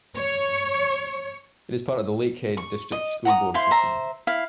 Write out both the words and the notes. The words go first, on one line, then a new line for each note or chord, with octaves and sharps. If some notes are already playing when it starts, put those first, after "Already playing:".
It is part of the Lakehead District School Board system.
C#5
C#6
D#5
F#5 A#5 C#6 D#6
E4 C5 F5 C6
C5 E5 A#5
E4 F5